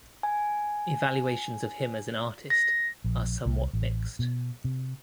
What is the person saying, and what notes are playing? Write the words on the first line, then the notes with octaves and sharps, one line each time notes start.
Evaluations of him as an artist are somewhat mixed.
G#5
A#6
A#1
C2
A1
B2
C3